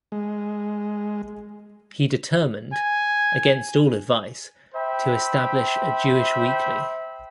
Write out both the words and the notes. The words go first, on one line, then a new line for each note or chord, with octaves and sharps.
He determined, against all advice, to establish a Jewish weekly.
G#3
G#5
C5 E5 G5 B5